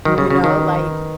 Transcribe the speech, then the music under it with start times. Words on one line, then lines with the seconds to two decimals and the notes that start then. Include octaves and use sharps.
you know, like
0.05 D#3 F#3
0.18 C#3
0.30 C#3 C#4
0.44 D#3
0.56 B4
0.81 B4